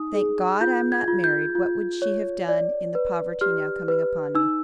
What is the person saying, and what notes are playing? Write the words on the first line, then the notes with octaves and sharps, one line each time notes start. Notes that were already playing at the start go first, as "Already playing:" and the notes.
"Thank God I am not married: what would SHE have done in the poverty now coming upon me!"
Already playing: D#4 D#6
G#4
F4 G6
G#6
F4
G6
F4
C#5
D5
B4
G4 F6
B4
D#4 E6